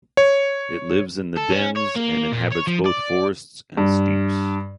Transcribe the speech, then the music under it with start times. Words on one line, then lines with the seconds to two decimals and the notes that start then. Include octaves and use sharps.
It lives in dens and inhabits both forests and steppes.
0.17 C#5
1.37 A4
1.51 C#4
1.76 C#5
1.95 A#3
2.32 A#2
2.52 C#5
2.67 F3
2.86 D5
3.77 G2